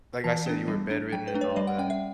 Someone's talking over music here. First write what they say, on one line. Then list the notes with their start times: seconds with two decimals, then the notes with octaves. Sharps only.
like, I said, you were bedridden and all that.
0.24 E3 A5
0.46 B3 D4
0.68 G3
0.91 D4
1.12 F#3 G5
1.28 B4
1.34 A3 D4
1.41 C#5
1.56 G3 D5
1.67 F#5
1.78 C#4 G5
1.90 E5